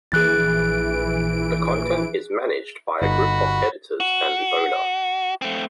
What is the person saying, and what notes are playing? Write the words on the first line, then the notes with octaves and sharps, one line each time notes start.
The content is managed by a group of editors and the owner.
A#1 E3 G#4 F#6 A6 D7
G1 D#4 F#4 B5
F#4
A3 C4